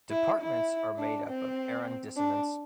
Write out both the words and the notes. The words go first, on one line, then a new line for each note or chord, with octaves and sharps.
Departments are made up of Arrondissements.
E4
E4
D4
C4
D4